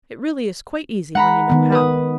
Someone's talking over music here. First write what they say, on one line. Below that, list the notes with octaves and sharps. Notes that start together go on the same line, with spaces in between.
It really is quite easy when you know how.
G#3 F#5 A#5 B5
D#3 B3
B4 D#6